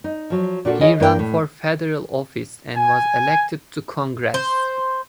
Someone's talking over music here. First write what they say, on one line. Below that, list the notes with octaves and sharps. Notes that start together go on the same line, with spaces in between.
He ran for federal office and was elected to Congress.
D#4
F3 F#3
A#2 D4 F4 F#4 A4
E4 F4 G#4 C#5 D#5
G2 A#3 D4 A#4 B4 G5
A2
G#5
C5